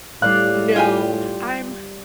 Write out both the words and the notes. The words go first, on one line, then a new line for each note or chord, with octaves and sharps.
No, I'm
A2 G3 D5 F5 F#6
F4 G4 G#5